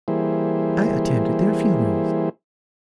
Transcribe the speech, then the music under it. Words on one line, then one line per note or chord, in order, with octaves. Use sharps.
I attended their funerals.
E3 G3 A#3 E4 G#4 C5